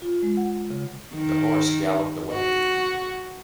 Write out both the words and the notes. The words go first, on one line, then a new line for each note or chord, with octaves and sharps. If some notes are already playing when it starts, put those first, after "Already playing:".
The horse galloped away.
F4
G#3
F#5
C#3
D#3
F#4